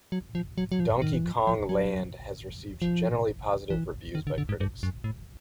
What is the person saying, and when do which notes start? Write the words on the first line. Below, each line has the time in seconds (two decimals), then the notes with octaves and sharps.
"Donkey Kong Land" has received generally positive reviews by critics.
0.12 F#3
0.35 F3
0.58 F#3
0.72 F#3
0.80 F3
1.02 D#3
1.13 E3
1.25 F3
1.47 F3
1.69 F#3
2.82 F3
3.70 E3
4.15 D#3
4.27 D3
4.38 D3
4.49 G#2
4.60 G2
4.83 F#2
5.04 A2